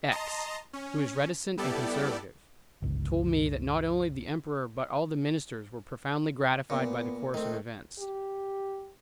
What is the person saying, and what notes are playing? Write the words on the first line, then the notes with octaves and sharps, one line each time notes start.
X., who is reticent and conservative, told me that not only the Emperor but all the Ministers were profoundly gratified by the course of events.
D#5 A5 A#5 C6
C#4
G3 B3 E4 G4 A4 D5
G1 C#2
A#2 B3
D#3 A3 C4
G4